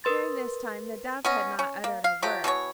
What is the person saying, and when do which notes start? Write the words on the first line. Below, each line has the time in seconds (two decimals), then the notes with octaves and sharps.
During this time the Dove had not uttered a word.
0.04 A#4 B4 C6 A6
1.25 B3 C#4 D#5
1.59 C#4
1.84 A#3
2.04 F5
2.22 F3 F#3 G4
2.44 B2 E3 C4 C#5